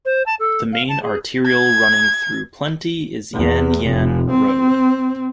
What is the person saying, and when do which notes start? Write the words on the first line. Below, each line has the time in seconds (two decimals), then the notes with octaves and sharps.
The main arterial running through Plenty is Yan Yean Road.
0.05 C5
0.26 A5
0.39 A4
0.73 F5
0.89 A5
1.02 G#4
1.47 G#6
3.34 E2
3.84 F1
4.30 C4